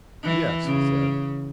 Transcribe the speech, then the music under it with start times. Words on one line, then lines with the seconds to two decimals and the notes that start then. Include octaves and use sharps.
"Yes," he said.
0.23 E3
0.64 C#3